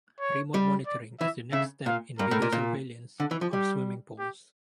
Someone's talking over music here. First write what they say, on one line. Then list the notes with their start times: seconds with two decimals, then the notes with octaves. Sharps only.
Remote monitoring is the next step in video surveillance of swimming pools.
0.20 C#5
0.54 G3
0.87 D5
1.20 E3 E5
1.53 C#3 E5
1.86 A#2 F5
2.19 G2 A#4
2.31 A2
2.42 A#2
2.52 A#2
3.20 D3
3.31 E3
3.41 F3
3.52 G3 G4
4.19 G4